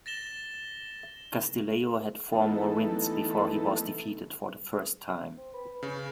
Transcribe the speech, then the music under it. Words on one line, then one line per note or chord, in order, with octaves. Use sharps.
Castillejo had four more wins, before he was defeated for the first time.
A6 A#6 E7 G7
E3 A3 B3 D#4 A4
C4
B4
C#3